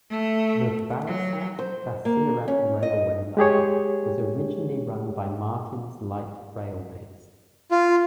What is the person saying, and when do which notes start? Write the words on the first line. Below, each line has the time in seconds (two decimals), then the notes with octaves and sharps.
The Barasat - Basirhat Railway line was originally run by Martin's Light Railways.
0.10 A3
1.07 F#3
1.59 C5
2.05 A#3
2.48 C#4
2.83 D#5
3.37 G#3 G4 G#4 C#5
7.71 F4